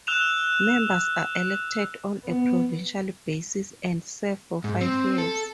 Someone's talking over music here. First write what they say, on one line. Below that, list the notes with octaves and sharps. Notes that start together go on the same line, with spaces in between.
Members are elected on a provincial basis and serve for five years.
E6 F#6 E7 F7
B3
G#2
C4
A4